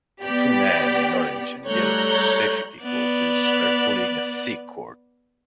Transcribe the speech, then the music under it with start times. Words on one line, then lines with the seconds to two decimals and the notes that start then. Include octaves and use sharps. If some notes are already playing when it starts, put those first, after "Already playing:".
Two men in orange and yellow safety clothes are pulling a thick cord.
0.22 B3 G4 D5
1.67 G3 A3 C#5 A#5 F#6 G6
2.83 B3 D5